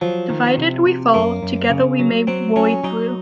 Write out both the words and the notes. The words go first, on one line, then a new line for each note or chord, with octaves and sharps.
Divided, we fall, together we may worry through.
F3 F#3
D#3
C3
C3
F#2 A#3
F#2
C#3
F#3
F#3 C4
F#3 C#4
F#3 D#4